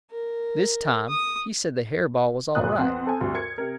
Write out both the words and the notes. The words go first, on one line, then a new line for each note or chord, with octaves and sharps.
This time he said the hair-ball was all right.
A#4
D#6
G1 D2 A#2 D#6 F#6
F2 B3 C4 F#5 C6
C4 A4 C5 G#5
D2 G2 C3
A#4 G#6 C#7
C3 A#4